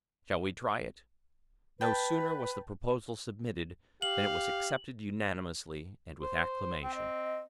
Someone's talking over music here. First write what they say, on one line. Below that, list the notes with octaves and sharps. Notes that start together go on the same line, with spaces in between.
"Shall we try it?" No sooner was the proposal submitted than it was accepted unanimously and with acclamation.
B4 G5 A5
G4 F5 F#7
C5
C4 G5
D#5